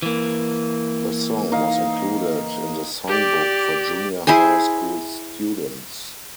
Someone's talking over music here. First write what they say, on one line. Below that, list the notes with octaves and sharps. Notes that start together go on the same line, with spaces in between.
The song was included in the songbook for Junior High School students.
E3 A#3
D#4 F5
G4 D5
E4 G#4 C5 G#5